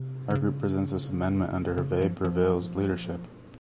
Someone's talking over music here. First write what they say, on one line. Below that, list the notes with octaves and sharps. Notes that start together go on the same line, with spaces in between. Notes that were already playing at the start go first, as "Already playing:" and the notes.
Our group presents this amendment under Hervé Berville's leadership.
Already playing: C3
D3
C#3
C#3
F3
F3